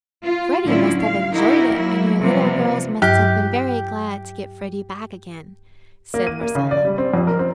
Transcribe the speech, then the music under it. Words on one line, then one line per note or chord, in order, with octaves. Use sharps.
"Freddy must have enjoyed it and your little girls must have been very glad to get Freddy back again!" said Marcella.
F4
A2 D3 F#3 C#4 E4 F4
F5
D#4 E4 F#4 G4 A#4
F#3 A#3 E4
C3 F3 G3 B3
G2 F#3 G4 F6
A#3
D#7
A#3
C#3
D5
G3
C4
F2
A#4
C4